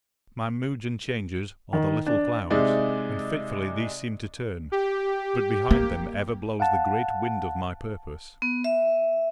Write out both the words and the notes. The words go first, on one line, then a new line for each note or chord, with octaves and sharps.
My moods and changes are the little clouds, and fitfully these seem to turn; but behind them ever blows the great wind of my purpose.
D#3
D4
C3 G#3 D#4 D5 E5
G4
A#3
F5 F#5 A5
B3
E5